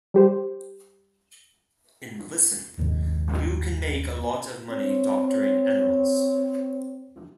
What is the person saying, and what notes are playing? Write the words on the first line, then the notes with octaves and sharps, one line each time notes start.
And listen: you can make a lot of money doctoring animals.
G3 G4 C5
F#1 D#2 G#2 D#3
C4 C#5